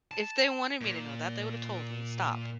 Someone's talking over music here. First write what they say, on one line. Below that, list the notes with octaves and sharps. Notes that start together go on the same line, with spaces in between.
If they wanted me to know that, they would have told me, stop."
A5
A#2